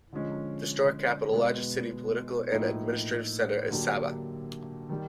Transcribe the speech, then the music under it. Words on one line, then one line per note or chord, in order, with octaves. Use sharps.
The historic capital, largest city, political and administrative centre is Sabha.
D3 F3 G#3 C#4
B2 G#3 B3
A2 F3 A#3 D#4
D3 F#3 A#3 D4 G4
D#3 G3